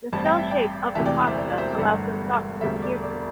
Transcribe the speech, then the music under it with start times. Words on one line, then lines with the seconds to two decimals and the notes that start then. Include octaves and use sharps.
The shell shape of the pasta allows the sauce to adhere to it.
0.12 A1 G2 G3 C4 A5
0.25 G5
0.38 E5
0.51 D5 G5
0.95 E1 D2 C3 E3 E5 A5
1.06 D5 G5
1.27 C5 E5
1.37 D5
1.50 D5
1.58 C5 E5
1.78 G1 G2 D3 A3
2.61 E1 D2 D3 G3 D4 C5 E5
2.82 D5
3.02 D5